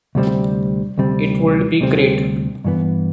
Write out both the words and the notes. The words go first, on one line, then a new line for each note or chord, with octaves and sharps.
It would be great.
D2 C3 G3 C4
D2 C3 G3 C4
D2 C3 G3 C4
G2 E3 B3